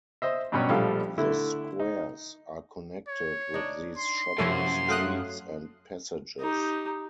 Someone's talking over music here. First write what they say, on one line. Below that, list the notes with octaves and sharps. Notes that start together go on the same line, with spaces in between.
The squares are connected with these shopping streets and passages.
C5 D#5 E5
G2 B2 F#3 C#4 C#5 D5
A#1 F3 G3 A3 A4 F5
D3 A3 E4
D#4
C#5
D4 D#4
C6
F#2 C3 F3 A#3 C#4 E4 A4
F#3 A3 F5 G5 D#6 F#6
D#4 G4